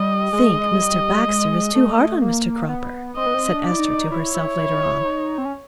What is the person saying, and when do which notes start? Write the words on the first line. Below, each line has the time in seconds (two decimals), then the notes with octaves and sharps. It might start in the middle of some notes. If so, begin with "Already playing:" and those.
"I think Mr. Baxter is too hard on Mr. Cropper," said Esther to herself later on.
Already playing: G3 D#5
0.33 G#3
0.42 A3
0.51 G#3
0.81 G3
1.28 G#3
1.75 A3
2.22 A#3
2.69 B3
3.17 C4 D#5
3.26 B3
3.34 C4
3.48 D4
3.64 D5
3.72 E4
3.79 D#4
4.11 E4 C#5
4.34 E4
4.58 E4
4.82 E4
5.05 D#4
5.38 C4
5.45 C#4